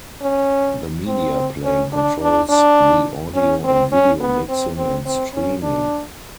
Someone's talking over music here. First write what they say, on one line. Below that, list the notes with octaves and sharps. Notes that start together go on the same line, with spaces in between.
The Media Plane controls the audio and video mixing and streaming.
C#4
C4
C#4
D4
D4
D4
C#4
C4
C#4
B3
C4
C4
C4
C#4
D4